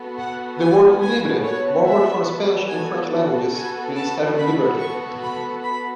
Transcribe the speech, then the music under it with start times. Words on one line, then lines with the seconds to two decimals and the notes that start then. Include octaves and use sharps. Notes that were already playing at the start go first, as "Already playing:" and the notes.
The word "libre", borrowed from the Spanish and French languages, means having liberty.
Already playing: B3 F#4 A4
0.18 F#5
0.60 G#5
1.01 G#5
1.43 C#5
1.85 E5
2.69 B3 F#4 A4 G#5
3.53 G#5
3.95 A5
4.38 B5
4.79 C#6
5.22 B5
5.63 B5